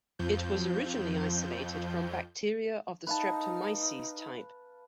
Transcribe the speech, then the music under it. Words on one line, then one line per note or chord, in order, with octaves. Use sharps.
It was originally isolated from bacteria of the "Streptomyces" type.
F2 F3 G6
D#4 B4 F5 A5